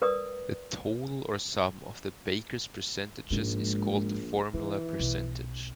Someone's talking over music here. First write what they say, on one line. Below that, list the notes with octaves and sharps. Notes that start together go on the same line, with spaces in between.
The total or sum of the baker's percentages is called the formula percentage.
A#4 B4 D5 D#6
A#1 G#2 G#3
D#3 E3
B1